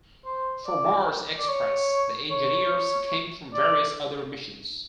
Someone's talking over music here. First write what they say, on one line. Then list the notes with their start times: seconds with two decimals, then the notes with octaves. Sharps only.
For Mars Express the engineers came from various other missions.
0.25 C5
0.66 D5
1.38 D5
1.48 C#5
2.30 C#5
3.54 D5